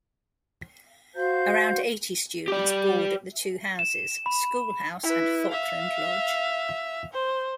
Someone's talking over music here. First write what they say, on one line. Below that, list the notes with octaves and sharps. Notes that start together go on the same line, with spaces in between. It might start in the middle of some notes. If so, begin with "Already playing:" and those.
Around eighty students board at the two houses; School House and Falkland Lodge.
F#4 C5 F5 G6
G4 D5
E7
B5
E4 B4
E5 F5
C5